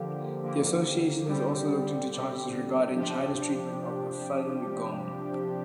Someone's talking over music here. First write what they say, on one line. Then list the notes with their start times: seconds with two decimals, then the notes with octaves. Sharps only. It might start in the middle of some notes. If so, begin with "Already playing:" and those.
The association has also looked into charges regarding China's treatment of the Falun Gong.
Already playing: D3 F3 A#3 G4
0.43 D3 F3 A#3 G4
1.27 D3 G3 C4 G4
2.11 D3 G3 C4 G4
2.95 C3 F3 D4 G4